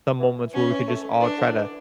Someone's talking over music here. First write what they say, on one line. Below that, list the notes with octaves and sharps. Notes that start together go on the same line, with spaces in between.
some moments where we could just all try to
E3
F#3 C#4
E3
A3
E3 D4
D3
E3